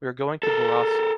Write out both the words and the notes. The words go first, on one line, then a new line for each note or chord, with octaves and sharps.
We are going to Borrassà.
A4 A#4